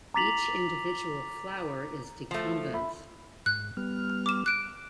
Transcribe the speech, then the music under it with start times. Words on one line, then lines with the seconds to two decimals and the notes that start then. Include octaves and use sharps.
Each individual flower is decumbent.
0.14 A#5 D6 A6 B6 F7 F#7
2.31 F3 A3
2.74 E5 B5
3.46 G#2 F#6
3.77 G3 B3 F6
4.26 D6 E7
4.46 F#6 D7